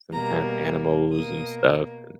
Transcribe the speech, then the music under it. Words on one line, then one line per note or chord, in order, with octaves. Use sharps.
some kind of animals and stuff and
B2 G3 A#3 A#5
B2 A#3 D#6